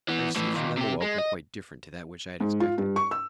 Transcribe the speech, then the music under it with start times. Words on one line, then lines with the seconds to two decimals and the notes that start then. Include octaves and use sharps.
I received from them a welcome quite different to that which I had expected.
0.08 E3 B3
0.36 A2 E3
0.55 D#2 A#2
0.77 C3 G4
1.02 G#3
1.18 D#5
2.40 G#2
2.60 F4
2.78 G2
2.96 C#6
3.11 E6